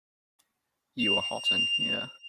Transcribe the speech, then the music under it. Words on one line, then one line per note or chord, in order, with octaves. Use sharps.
You are hot in here!
F7